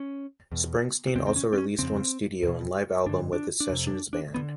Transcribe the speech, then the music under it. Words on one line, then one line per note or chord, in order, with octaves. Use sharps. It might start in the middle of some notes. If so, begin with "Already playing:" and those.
Springsteen also released one studio and live album with The Sessions Band.
Already playing: C#4
E2 B2
E2 C#3 C4
C4
C#4
C4
C#4
F2 C#3 C4
E2 B2
G2 D3 D4
D4
D4
F2 C3
D4
D4
D3 B3